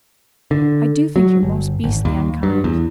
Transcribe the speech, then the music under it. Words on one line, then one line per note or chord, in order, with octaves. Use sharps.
I do think you're most beastly unkind.'
D3
F#3
G1
G#1
D#2
G2
E2